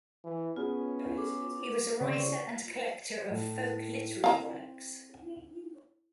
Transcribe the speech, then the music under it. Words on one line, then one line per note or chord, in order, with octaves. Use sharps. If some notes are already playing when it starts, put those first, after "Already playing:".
He was a writer and collector of folk literary works.
E3
B3 C#4 F4 G#4 B4
D6
C#3 C4 C#5 D5 G5 C#6
A2
C4 F5 A#5